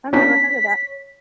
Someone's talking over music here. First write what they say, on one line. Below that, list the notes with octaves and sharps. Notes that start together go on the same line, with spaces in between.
I've never heard of that.
B3 C#4 D4 C#5 B6